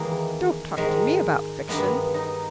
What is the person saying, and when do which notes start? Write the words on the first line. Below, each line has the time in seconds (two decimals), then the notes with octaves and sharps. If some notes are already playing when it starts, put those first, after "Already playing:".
Don't talk to me about fiction!
Already playing: E2 D#3 G#3 A#3
0.77 G#2 D#3 G#3
1.68 G2 D#3 G#3 B3
2.14 D#4